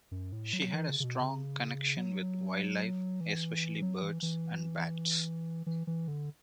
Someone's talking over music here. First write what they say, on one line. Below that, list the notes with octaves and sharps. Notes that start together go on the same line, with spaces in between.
She had a strong connection with wildlife, especially birds and bats.
F#2
A2
F#3
E3
C#3
C#3
B2
C#3
F#3
E3
F#3
E3
E3
E3
E3
D3